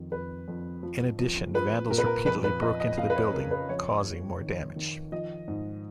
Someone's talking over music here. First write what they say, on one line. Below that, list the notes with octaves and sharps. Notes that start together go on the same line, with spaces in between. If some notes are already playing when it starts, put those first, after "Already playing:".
In addition, vandals repeatedly broke into the building, causing more damage.
Already playing: F2 D#3
F2 B4
F2
F3
F3
F3 B4
A#2 A#4
B4
A#4
F2 B4
B4
F3 D#5
D#5
F2 F5
B4
C#5
C#3 A#4
B4
F2 C#5
F2
D#3
D#3
F3 D#5
G#2